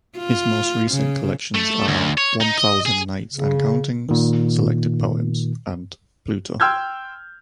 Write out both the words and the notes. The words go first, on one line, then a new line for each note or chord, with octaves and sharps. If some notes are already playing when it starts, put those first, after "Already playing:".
His most recent collections are "One Thousand Nights and Counting: Selected Poems" and "Pluto".
F4
C#3
A3
D2
C#5
D#4
D#5
G#4
C#3
A#2 D#3
G5 C6 E6 F6 G6 G#6